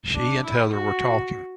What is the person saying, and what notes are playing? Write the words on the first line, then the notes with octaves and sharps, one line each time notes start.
She and Heather were talking.
D4
E4
F#4